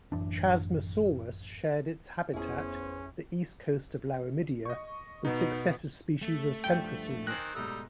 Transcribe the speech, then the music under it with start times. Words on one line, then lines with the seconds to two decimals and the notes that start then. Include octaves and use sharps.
"Chasmosaurus" shared its habitat, the east coast of Laramidia, with successive species of "Centrosaurus".
0.12 A1 F#2 E3 D4
2.33 G#1 F2 B3 C#4 E4 G#4 C5
4.66 D#5 C#6
5.25 B2 B3 D#4
6.22 A3
6.64 G2 D3 F3 G5
7.27 D#3 C4 G5 G#5 F#6 A#6
7.55 G#2 B2 G3 A3 D#4 E6